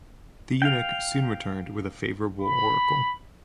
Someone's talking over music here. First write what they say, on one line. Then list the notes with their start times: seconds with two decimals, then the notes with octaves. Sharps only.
The eunuch soon returned with a favorable oracle.
0.62 F5 G5
2.40 B5